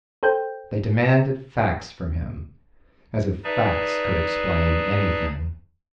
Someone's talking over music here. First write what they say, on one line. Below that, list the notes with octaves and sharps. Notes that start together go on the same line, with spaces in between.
They demanded facts from him, as if facts could explain anything!
A4 C5 G5 G6
D#4 G#4 B4 D5 E5 A5